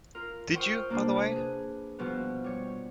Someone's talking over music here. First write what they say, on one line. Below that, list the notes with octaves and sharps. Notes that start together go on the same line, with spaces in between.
Did you, by the way?
F4 A#4
C5 G5 C#6 D#6 F6
C3 A#3 D4
G#4 B4
B2 F3 G3 B3
G3 C#5